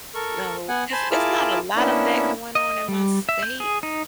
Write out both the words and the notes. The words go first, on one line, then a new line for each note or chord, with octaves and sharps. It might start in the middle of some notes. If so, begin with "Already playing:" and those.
No, 'cause it's not a lot of that going on in my state.
A4 A#4 C#6
B3 F#5 G#5
C5 G#5 A5 B5 C6
E4 F4 G#4 A#4 A5 D6
A#3 B3 C#4 D4 E4
D#5
G3
E5
G6
G#4
D#4